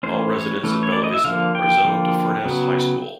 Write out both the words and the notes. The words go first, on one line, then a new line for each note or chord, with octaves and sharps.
All residents of Bella Vista are zoned to Furness High School.
E3 A3 C#4 C5
C#5
E3 A3 C#4
C#5
D5
D#5
E5
D3 F3 A#3 F5
G5
D3 F3 A#3
C#3 F#3 B3